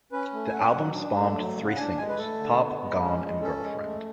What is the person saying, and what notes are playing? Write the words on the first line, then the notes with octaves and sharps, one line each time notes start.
The album spawned three singles: "Pop", "Gone" and "Girlfriend".
C#4 B4
A3
G#5
C#4 F#5
F#3
D4
A3
F#3
C#3
F#5
D4 G#5
G#3 G#5
B4
A3 A4
D3
B3
G#3
C#4
G#3
C#4 A4
G#3
A3